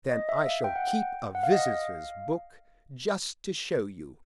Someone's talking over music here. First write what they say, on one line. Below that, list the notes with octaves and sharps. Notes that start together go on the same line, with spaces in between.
"Then I shall keep a visitors' book just to show you."
D#5
E5
F5
G5
F#5
G5
F#5
F5
D#5
F5